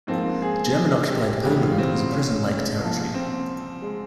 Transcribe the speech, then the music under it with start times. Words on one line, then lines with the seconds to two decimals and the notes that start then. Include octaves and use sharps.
German-occupied Poland was a prison-like territory.
0.07 G#2 F3 A#3 C4
0.42 G#4
1.09 G4
1.43 E2 C#3 E3 G4
1.61 F4
1.78 C4
2.12 C#4
2.79 C2 A#2 F3
3.14 C4
3.82 G#3